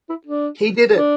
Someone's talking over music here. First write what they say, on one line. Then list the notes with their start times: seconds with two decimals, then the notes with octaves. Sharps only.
He did it.
0.09 E4
0.27 D4
0.95 D4